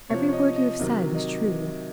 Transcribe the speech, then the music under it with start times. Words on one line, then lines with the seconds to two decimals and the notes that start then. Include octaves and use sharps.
Every word you have said is true.
0.10 C3 F3 C#5
0.28 C#5
0.33 D#5
0.56 D#5
0.79 C3 D#3 F#3
1.14 D#5